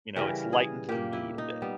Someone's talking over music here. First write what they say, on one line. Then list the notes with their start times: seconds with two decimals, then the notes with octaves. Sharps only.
you know, it's lightened the mood a bit.
0.16 C#3 E3 G3 A#4
0.53 G#4
0.89 A#2 A#3 G4
1.13 E4
1.38 D#4
1.62 G3 B3